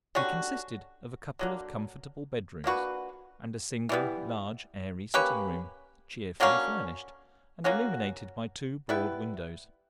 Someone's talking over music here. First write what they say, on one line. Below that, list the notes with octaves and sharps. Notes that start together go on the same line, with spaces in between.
They consisted of a couple of comfortable bed-rooms and a single large airy sitting-room, cheerfully furnished, and illuminated by two broad windows.
D3 G3 C#4 F#4
D3 F#3 A#3
A#3 D4 F#4 B4
E3 G3 B3
A#3 C#4 G4 B4
D3 F#3 A#3 C#4
F#3 A#3 C#4 F#4
G3 B3 E4 B4